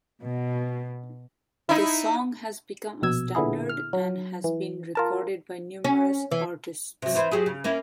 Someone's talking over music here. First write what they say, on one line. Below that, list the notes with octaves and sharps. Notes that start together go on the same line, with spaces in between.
The song has become a standard and has been recorded by numerous artists.
B2
D#4 E4
A#1 B2 E6 G#6
A#2 D3 B3 E4 G#4
F6
F#3
E3
F4 A#4 A5
C#4
E3
C3 F#3
E3 E4 C5
F#3 G4 G#4
C#3
A#3 C#4 E4